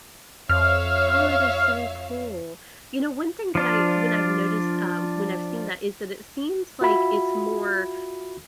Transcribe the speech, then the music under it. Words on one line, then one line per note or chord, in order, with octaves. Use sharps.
Oh, that is so cool. You know, one thing that I when I've noticed, um, when I've seen that is that it seems like it's more
F2 C#5 E5 F5 F6
F3 D4 F4
F4 F#4 E5 B5